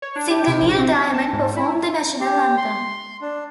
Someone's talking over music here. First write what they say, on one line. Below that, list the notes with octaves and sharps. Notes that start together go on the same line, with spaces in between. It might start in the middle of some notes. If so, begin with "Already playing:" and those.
Singer Neil Diamond performed the national anthem.
C#5
D4
G4
C3
A#1
C4
C4
A5
G#2
E4
G4
C6
D4